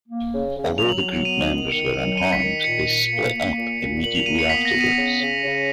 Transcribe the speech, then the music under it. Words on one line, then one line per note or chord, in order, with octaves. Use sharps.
Although the group members were unharmed, they split up immediately afterwards.
A#3
C#3
C#3
F#3 F7
F#7
F#3 F7
B3 D#7
D#3
D#3 C#7
F#3 D#7
D#3 D#7
C#7
B6
D#3 C#7
A#2 C#7
A#2
A#3
A#3
A#2
A#2
A#2 F#7
F7
A#3 D#7
C#7
B3 B6
A#6
B3
D#7
C#3
C#3
C#3